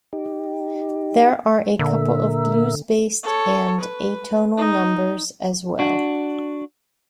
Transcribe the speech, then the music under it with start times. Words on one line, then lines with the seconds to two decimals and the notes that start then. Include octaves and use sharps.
There are a couple of blues-based and atonal numbers as well.
0.13 D#4 G4
1.79 A#2 D3 A#4 E5
3.23 A4 C#5
3.80 B4
4.57 D#4
5.79 D4 F#4